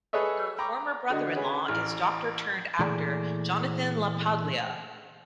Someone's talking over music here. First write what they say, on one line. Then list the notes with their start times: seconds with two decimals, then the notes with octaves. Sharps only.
Her former brother in-law is doctor-turned-actor Jonathan LaPaglia.
0.13 G#4 A4 B4 C#5 D#5 E5
0.58 G5 A#5 B5 C#6 D6
1.10 D3 F#4 D#5
1.36 C#4 G#4 B4
1.67 A1 F6
2.79 A#2 E3 A3 G#4 D5